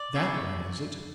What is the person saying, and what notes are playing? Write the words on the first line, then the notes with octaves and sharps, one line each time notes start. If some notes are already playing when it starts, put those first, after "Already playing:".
'That one, is it?
Already playing: D5
C#2 B2 G#3 C#4 E4